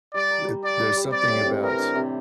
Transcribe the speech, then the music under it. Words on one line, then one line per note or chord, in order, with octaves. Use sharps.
a there's something about,
G3 D5
A#4
G3
G4 D5
G3
G3
C4 D5
A2
C4
E3 A#4
D4
C3